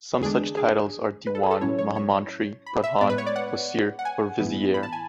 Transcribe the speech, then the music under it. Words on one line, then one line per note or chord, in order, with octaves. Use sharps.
Some such titles are diwan, mahamantri, pradhan, wasir or vizier.
E2 D3 G#3 D4 G#4
G#4
B4
A4
G#4
A4
A2 F#3 C#4 E4 C#5
C#5
C#5
B5
E5
A2 G#3 B3 D5
B4
C#5
D5
F#5
F#5
G#5
A2 E3 B3 E4
B5
A5
G#5